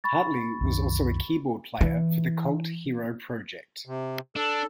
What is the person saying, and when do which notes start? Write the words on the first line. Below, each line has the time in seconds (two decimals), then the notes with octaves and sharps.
Hartley was also a keyboard player for the Cult Hero project.
0.04 B5 C#6 A6
0.61 C2 F#2 D#3
1.81 E3
3.86 C3
4.36 D4 A4